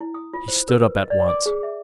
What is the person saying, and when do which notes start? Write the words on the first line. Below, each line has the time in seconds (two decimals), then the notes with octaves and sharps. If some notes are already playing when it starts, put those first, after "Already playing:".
He stood up at once.
0.01 E4
0.14 D#6
0.34 F4
0.48 C5
0.69 A#4
0.82 B4
0.97 D#5
1.10 D5
1.28 D6
1.46 G#4
1.63 E5